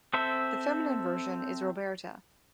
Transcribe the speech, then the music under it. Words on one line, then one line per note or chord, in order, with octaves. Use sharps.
The feminine version is Roberta.
C4 A4 C5 E5